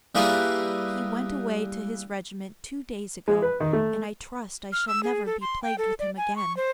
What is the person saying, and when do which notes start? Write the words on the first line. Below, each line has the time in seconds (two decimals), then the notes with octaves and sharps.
He went away to his regiment two days ago, and I trust I shall never be plagued with him again.
0.15 G3 A#3 E4 G#4 B4 F5
3.28 G#3
3.42 B4
3.60 D#3
3.73 A3
4.72 F6
4.88 E6
5.03 G#4
5.26 A4
5.41 C6
5.63 G5
5.78 A4
5.99 D5
6.17 G#5
6.36 C#6
6.57 C5